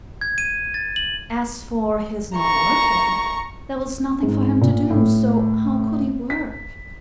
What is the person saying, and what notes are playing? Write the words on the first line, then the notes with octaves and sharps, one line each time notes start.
As for his not working--there was nothing for him to do, so how could he work?
G#6
D#7
A6
F#7
A#5 C#6
G#2
A#2
A2
B6